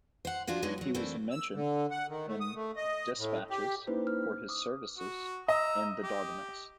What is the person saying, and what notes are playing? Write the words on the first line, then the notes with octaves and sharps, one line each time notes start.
He was Mentioned in Despatches for his services in the Dardanelles.
C5 F#5
F3 D4 F4 F#4 G#4
F#3 G#3 B3 D4 D#4 G#4
D#2 F#3
E3 A3 A#3 C4 D4
E6
D3
F#5
D#3
A3
D#6
A3
D#5
A2
G4
A#3 C#4 D#4 E4 B4 C5
F6
D6 D#6
F#4
D#5 A#5 E6
G4